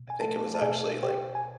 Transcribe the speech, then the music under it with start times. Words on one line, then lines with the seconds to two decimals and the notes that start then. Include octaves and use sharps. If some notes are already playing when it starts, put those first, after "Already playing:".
I think it was actually, like
Already playing: B2
0.10 G#5
0.21 A3 A4 A5
0.55 A5
0.61 B2 G#4 G#5
1.03 B2 G4 G5
1.35 G#5